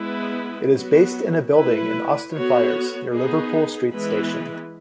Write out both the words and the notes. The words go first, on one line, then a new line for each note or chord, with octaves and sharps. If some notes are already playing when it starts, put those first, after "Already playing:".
It is based in a building in Austin Friars, near Liverpool Street station.
Already playing: G#3 B3 E4 B4
F#3 B3 F#4
A3 E4 B4
B3 F#4 A4 C#5
B3 D#4 G#4
E3 G#3 B3 E4 B4